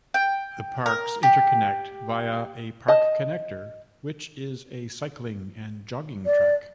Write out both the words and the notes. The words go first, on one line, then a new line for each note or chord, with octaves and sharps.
The parks interconnect via a park connector which is a cycling and jogging track.
G5
A#4
G4
D#5 A5
D5